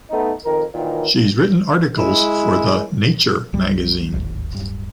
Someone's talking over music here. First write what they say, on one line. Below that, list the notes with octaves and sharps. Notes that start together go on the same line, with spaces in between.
She’s written articles for the “Nature” magazine.
A3 B3 D#4
F2 D#3 A#4
A#2 D#3 E3 F#3
G#3 E4
B1 G3
D1 G#1 D#2
D1 G2